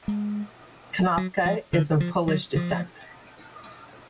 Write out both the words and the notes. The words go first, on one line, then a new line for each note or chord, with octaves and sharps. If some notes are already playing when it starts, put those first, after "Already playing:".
Konopka is of Polish descent.
G#3
F#3
F3
D3
F3
F#3
F3